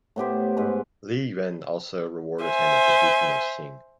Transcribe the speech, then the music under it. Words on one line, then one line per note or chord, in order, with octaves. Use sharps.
Li Yuan also rewarded him with the Dukedom of Xing.
A2 B3 G4 C5
G#2 B4
C5 E5 G#5